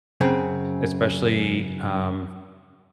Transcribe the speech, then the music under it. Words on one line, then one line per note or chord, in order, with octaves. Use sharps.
especially, um,
F#2 C#3 C4